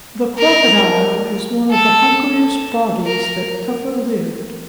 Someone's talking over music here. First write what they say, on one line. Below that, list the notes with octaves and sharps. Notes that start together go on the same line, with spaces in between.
The Crocodile is one of the hungriest bodies that ever lived.
A#4
A4
A#4